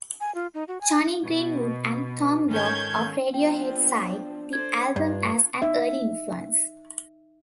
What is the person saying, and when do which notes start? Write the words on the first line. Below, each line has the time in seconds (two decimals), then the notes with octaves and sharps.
Jonny Greenwood and Thom Yorke of Radiohead cite the album as an early influence.
0.20 G#5
0.35 F4
0.54 D#4
0.68 F#4
0.81 G#5
1.26 B2
2.50 G#2 D#3 C#4 A4 G6 G#6
3.34 F3 B3 C4 D4 G5
4.53 A4 C5 D5 G#6
4.96 G2 D4 F4 B4
5.62 D#4 E5